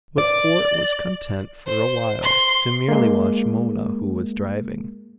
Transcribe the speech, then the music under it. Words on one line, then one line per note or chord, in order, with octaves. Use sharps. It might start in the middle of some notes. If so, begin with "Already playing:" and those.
But Fort was content for a while to merely watch Mona, who was driving.
D5
C5
C6
G#3 A#3